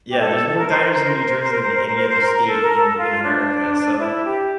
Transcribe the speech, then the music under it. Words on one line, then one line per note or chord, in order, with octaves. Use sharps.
Yeah, there's more diners in New Jersey than any other state in in America, so,
G4
A4
A#4
C5
A#4
C5
A#4
C5
A#4
C5
A#4
C5
A#4
C5
A#4
C5
A#4
A4
A#4
A4
F4
D4
E4
G4